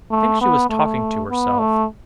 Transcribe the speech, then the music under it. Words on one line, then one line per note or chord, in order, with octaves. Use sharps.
I think she was talking to herself.
A3
B3
A3
B3
A3